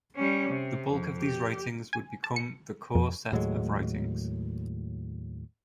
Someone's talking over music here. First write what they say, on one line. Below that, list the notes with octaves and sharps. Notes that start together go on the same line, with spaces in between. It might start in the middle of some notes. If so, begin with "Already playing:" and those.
The bulk of these writings would become the "core set of writings".
G3 C#4
C3
F2
G4
G#5
A5
C#7
F2
D#2 A2 F#3 G#3